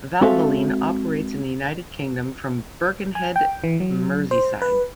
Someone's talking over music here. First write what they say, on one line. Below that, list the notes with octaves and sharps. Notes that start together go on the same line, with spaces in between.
Valvoline operates in the United Kingdom from Birkenhead, Merseyside.
G#3 C4 F#4 A4 E5 F5
G#5
G5
E3
F#3
C5
B4